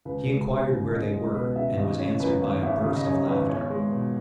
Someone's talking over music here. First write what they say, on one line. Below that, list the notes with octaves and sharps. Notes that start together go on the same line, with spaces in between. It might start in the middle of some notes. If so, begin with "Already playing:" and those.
He inquired where they were, and was answered by a burst of laughter.
C#2 B4
G#3
B2
C#2
C#2 D#5
G#3 D#5
B2 B4
C#2 E5
G#1 D#5
C#3 C#5
F#2 B4
G#1 C#5
G#1 E5
C#3
D#5
F#2 C#5
G#1 B4
E2 C#5
G#3
B2